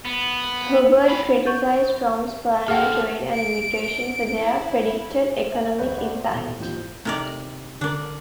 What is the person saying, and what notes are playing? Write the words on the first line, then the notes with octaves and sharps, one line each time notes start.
Hubbard criticized Trump's plans on trade and immigration for their predicted economic impact.
B3
C4 B5
C#6 G6 A6
F#4 G#4 A4 F#5 G5 F6
D7
E4
E5 G#5 F#7
D2 F#3 G#3 B4 C#5 G6
C#5 D5 F#5 B5
C5
D#1 A1 B2 A3 G7
A1 D#2 F3 C4 G6
C3 A3 D#4 A#4 D5
D3 D4 A#4 D5